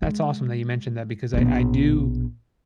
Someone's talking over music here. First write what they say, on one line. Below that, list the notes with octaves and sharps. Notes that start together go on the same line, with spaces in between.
that's awesome that you mentioned that because I I do,
G#3
A#1 B2